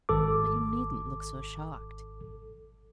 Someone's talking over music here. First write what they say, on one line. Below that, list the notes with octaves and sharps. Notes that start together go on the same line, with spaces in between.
But you needn't look so shocked.
G#1 A4 D6